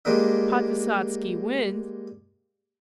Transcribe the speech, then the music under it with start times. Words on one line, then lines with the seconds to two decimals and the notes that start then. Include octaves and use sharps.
Podvysotsky wins.
0.05 G3 G#3 A#3 D4 E5